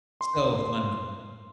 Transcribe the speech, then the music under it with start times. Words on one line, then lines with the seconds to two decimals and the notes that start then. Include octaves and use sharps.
So funny.
0.21 C6